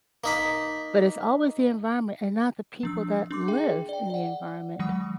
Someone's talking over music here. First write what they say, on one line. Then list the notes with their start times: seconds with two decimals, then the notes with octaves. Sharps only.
but, it's always the environment and not the people that live in the environment.
0.24 A#3 D#4 B5
2.83 F3 D4 E6
3.31 D4 C6 D6
3.48 G#4 E5 G5
3.89 D5 G5
4.10 D5 F#5
4.79 D#3 F#3 G#3 F#5 D#6